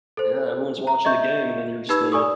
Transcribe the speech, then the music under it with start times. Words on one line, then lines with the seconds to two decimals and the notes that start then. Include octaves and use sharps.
Yeah, everyone's watching the game, and then you're just, uh,
0.17 A4 C5
0.87 A#5
1.05 D#5 E5 C#6 G6
1.89 D#4 G4 B4 B5 E6 G#6
2.12 D5 G#5 C#6 D#6